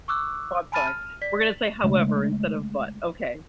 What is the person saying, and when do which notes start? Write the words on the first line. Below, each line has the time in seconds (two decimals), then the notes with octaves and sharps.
Oh, I'm sorry, we're gonna say, "however," instead of, "but." Okay.
0.08 C#6 D6 E6 F#6
0.72 G#5 A5 B5 F6 A6 D#7
0.87 F6
1.22 D5 B6
1.84 C#3 G#3 A3 D4